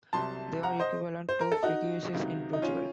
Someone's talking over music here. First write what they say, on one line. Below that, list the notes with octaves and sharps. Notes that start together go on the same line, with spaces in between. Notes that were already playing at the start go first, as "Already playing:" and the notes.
They are equivalent to "freguesias" in Portugal.
C2 C3 F#3 A5 C6
F#5 A#5
C5 D#5
C5
A#4
A4
D#4 F#4
C#2 C3 D#3 F#3
D#4
C#4 F4